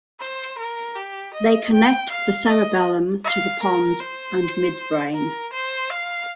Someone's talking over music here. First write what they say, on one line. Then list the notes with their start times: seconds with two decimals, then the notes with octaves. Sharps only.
They connect the cerebellum to the pons and midbrain.
0.20 C5
0.58 A#4
0.96 G4
1.34 D#5
1.73 G5
2.09 F5
2.49 D#5
3.24 F5
3.63 A#4
4.00 C5
5.14 A#4
5.53 C5
5.90 F5